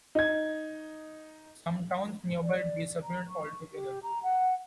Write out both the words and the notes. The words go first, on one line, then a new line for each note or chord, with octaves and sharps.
Some towns nearby disappeared altogether.
D#4 G#6
D5
A#5
C#6
G4
A#5
F#5